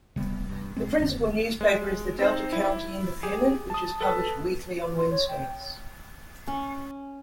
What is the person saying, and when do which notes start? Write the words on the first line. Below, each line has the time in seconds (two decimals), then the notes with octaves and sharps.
The principal newspaper is the "Delta County Independent", which is published weekly on Wednesdays.
0.16 C3 G3 A3 B3
0.49 G2
0.76 E1 B2 G#3 C4
0.99 F2 D3
1.61 G#3
2.19 C4 D#4 C5
2.52 E4
3.23 G4 G#4
3.70 A5 D#6
4.01 A4 B4 A5
4.76 F4
4.97 C6
5.10 C#5
5.28 G5
6.47 C#4